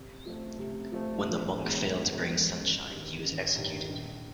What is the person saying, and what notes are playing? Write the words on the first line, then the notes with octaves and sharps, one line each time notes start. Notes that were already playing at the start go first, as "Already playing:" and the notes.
When the monk failed to bring sunshine, he was executed.
Already playing: C3
F3 A3 C4
C3
F3 A3 C4
E1
E2 B2 G#3
E1
E2 B2 G#3
A1
G2 D#3
A1
G2 D#3
A#1